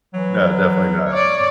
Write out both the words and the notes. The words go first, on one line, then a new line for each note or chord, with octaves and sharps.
no, definitely not,
E3 F#3
C#5 D5